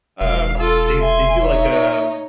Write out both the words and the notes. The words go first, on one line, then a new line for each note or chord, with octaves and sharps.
um they they do like, um
E1 F5
F4 A4
E5 G#5 C6
D#4 C#5